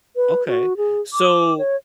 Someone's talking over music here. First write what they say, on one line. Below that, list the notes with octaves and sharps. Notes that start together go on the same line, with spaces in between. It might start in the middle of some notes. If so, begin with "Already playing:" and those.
Okay, so
B4
F#4
G#4
D6
C#5